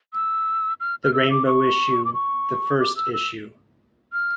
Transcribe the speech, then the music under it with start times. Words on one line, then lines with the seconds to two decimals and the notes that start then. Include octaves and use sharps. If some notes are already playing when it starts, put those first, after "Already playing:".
"The Rainbow Issue", "The First Issue".
0.14 E6
0.80 F6
1.04 F6
1.13 E6
1.30 D6
1.46 C#6
2.05 D6
2.14 C#6
2.80 D6
2.96 E6
3.13 E6
4.13 F6